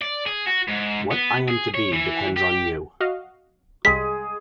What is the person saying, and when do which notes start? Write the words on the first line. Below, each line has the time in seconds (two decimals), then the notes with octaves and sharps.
What I am to be depends on you.
0.02 D5
0.26 G#4
0.46 F#4
0.68 G#2
1.11 B3
1.48 G#4
1.74 C#5
1.92 E3
2.37 G4
3.00 F#4 D#5 F5
3.85 C2 G3 G#3 G#4 B6